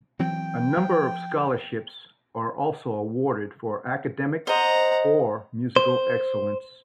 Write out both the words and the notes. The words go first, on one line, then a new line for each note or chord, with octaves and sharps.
A number of scholarships are also awarded for academic or musical excellence.
E3 F#3 C4 G5
F3
C5 D#5 F#5 A#5
C5